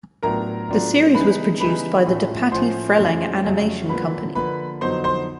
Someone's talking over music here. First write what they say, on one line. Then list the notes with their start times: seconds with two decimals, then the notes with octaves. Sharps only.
The series was produced by the DePatie-Freleng animation company.
0.23 A2 F#3 B3 D4 F4 A#4 A#5
0.69 A2 F#3 B3 D4 F4
1.15 C#3 E3 G3 B3 D#4 B4 B5
1.60 C#3 E3 G3 B3 D#4 B4 B5
2.06 A2 F3 A3 C#4 F4
2.52 A2 F3 A3 C#4 F4 C5 C6
2.98 F2 C#3 F#3 A3 C#4
3.44 F2 C#3 F#3 A3 C#4
3.89 D3 F3 A#3 B4 B5
4.35 D3 F3 A#3 B4 B5
4.81 F2 D3 F#3 B3 D#4 C5 C6
5.04 C5 C6